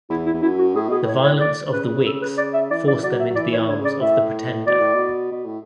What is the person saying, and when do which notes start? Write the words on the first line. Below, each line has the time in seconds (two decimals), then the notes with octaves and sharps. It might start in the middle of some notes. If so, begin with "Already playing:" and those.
The violence of the Whigs forced them into the arms of the Pretender.
0.10 E2 E4
0.26 E4
0.33 E2
0.42 F#2 E4
0.59 F#4
0.75 A2 G#4
0.88 B2 G#4
1.03 A2 C#5
1.23 C#5
1.40 D5
1.72 C#3 B4
2.06 A4
2.22 B4
2.38 D5
2.54 E5
2.70 E3 D5
2.87 D5
3.03 F#3 D5
3.19 E5
3.30 F#3
3.35 E3 D5
3.52 C#5
3.57 E3
3.68 D3 C#5
3.79 C#3
3.85 D5
4.01 A2 E5
4.66 B2 D5
4.80 A2
4.94 B2
5.32 B2
5.45 A2